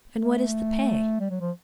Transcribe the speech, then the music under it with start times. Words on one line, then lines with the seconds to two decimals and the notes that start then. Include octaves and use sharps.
"And what is the pay?"
0.19 A3
1.20 G3
1.30 F#3
1.40 F3